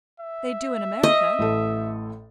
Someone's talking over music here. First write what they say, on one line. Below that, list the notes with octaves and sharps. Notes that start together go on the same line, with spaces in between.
"They do in America."
E5
D#5
A1 A2 A4